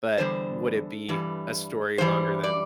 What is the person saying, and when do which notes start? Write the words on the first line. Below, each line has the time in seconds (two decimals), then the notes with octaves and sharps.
but would it be a story longer than
0.18 E2 D3 G3 C5
1.09 G2 E3 G3
1.98 G2 E3 G3 C5
2.44 D5